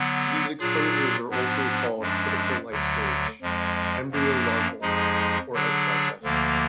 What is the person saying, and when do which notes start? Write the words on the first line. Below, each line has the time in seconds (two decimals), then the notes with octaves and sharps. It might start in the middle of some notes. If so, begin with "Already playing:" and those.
These exposures are also called critical life stage, embryo-larval, or egg-fry tests.
Already playing: D3 F#3 B3
0.60 A#2 F#3 D4 F4 G#4
1.30 G#2 F3 B3 D4
2.00 F#2 F3 G#3 D4
2.70 D2 D3 F#3
3.42 F2 F3 G#3
4.11 F#2 F3 A#3 D4
4.82 F2 F3 G#3 D#4 G#4
5.53 D3 F#3 D4 G#4
6.23 D2 D3 F3 A#3